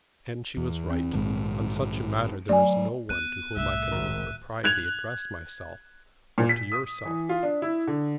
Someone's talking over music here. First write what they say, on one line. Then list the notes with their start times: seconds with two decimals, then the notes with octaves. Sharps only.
And she was right. On such a matter there is no one to whom I can with propriety address myself, but to yourself.
0.57 E2
0.90 C4
1.13 A#1 G#2 D#3
2.49 F#3 A3 D5 G#5
3.09 B3 F#6 D#7
3.56 C2 A2 E5
3.91 G#1 A#4
4.64 F#6 G#6 F7
6.38 A#2
6.49 B6
6.72 D#6
7.05 E3
7.29 F4
7.43 D4
7.62 E4
7.87 D3